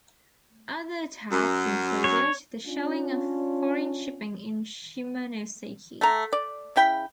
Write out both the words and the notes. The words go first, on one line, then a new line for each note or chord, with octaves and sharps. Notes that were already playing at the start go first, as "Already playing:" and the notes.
Other attacks included the shelling of foreign shipping in Shimonoseki.
F#2
C#5
C#4 D4 F4
A3 F#5 A#5
D5
C#3 E4 G5 B5